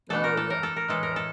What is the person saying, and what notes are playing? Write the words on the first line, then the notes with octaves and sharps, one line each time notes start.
Oh yeah, yeah.
E3 A3 D4 A4
A#4
A4
A#4
A4
A#4
A2 E3 G#3 A4
A#4
A4